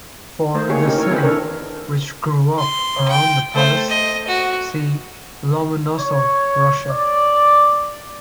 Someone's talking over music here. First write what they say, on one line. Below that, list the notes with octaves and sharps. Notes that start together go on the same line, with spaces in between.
For the city which grew up around the palace see Lomonosov, Russia.
A3 C5
D#3 A#3 G4 G#4 C#5
D3 C#4 D#4 G4 A#4
E4 A4 A#4 C#5
D#3 E3 C4 G#4 B4 C5
D4 E4 A4 A#4 C#5
C6
G5
A3 C5
D#5
F#4
C#5
D5